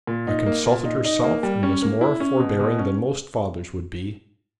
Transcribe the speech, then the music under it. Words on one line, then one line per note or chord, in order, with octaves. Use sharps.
I consulted herself, and was more forbearing than most fathers would be.
A#2
D#4
A#3
A#2
D#4
D#4
A#3
G3
C#4
A#3
E4
C#4
B2
B2
C#4